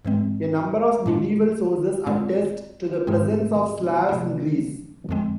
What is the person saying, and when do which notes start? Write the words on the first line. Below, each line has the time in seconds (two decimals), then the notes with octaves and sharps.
A number of medieval sources attest to the presence of Slavs in Greece.
0.05 G#2 E3 G#3 C4
1.06 A2 G#3 D4 F4
2.06 A2 G#3 C4 F4
3.07 G#2 G#3 C4 G#4
4.09 C3 F3 A3 E4
5.09 F2 D3 F3 G#3 C4